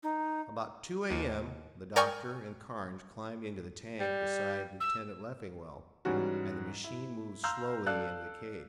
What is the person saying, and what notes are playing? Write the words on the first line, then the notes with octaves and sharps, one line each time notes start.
About two A. M. the doctor and Carnes climbed into the tank beside Lieutenant Leffingwell, and the machine moved slowly into the cave.
D#4
D#2
A#4 D5 G5 G#5 C#6 F6
G3
E6
G#2 E3 G3 C#4 F#4
E4
F5 A#5 C6 E6 F6 G6
A4 D5 F5 E6 F#6